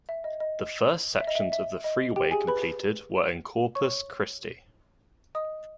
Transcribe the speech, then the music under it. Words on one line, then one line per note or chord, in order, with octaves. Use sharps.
The first sections of the freeway completed were in Corpus Christi.
E5
D#5
D#5
E5
D#5
E5
E5
D#5
G4 G5
G#4 G#5
B4 B5
C#5 C#6
D#5 D#6